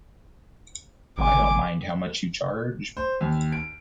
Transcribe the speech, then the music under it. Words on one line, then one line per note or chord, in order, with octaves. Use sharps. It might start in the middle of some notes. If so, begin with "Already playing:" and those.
I don’t mind how much you charge!
G#1 G#5 D6
C5
D#2
D7